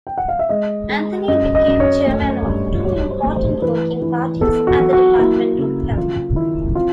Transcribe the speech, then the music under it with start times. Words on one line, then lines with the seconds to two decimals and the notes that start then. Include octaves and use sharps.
Anthony became chairman of two important working parties at the department of health.
0.07 G5
0.18 F#5
0.28 F5
0.39 E5
0.49 G#3 D#5
0.89 G#3
1.28 F#2 D#5
1.55 D#5
1.68 F#2
1.80 C#5
2.06 A3
2.45 G2
2.85 F#3 C#5
3.11 C5
3.23 A3
3.36 C5
3.62 E3 B4
4.02 E3
4.41 B3 A4
4.67 F#4
4.80 F#3
4.93 F#4
5.19 A#3 E4
5.58 C#3
5.97 F#3 F4
6.36 D#3 E4
6.75 C4 F4